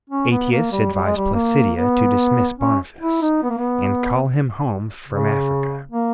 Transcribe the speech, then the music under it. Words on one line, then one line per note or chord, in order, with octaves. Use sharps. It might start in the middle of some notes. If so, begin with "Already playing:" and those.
Aetius advised Placidia to dismiss Boniface and call him home from Africa.
C#4
B3
A#3
G3
G3
G#3
G3
A#3
B3
C#4
E4
D#4
B3
A#3
B3
C#3
A#3